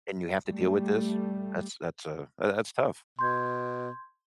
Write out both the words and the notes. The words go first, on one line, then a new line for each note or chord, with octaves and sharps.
and you have to deal with this, that's that's a that that's tough.
G3 A3
B2 C6 G6 G#6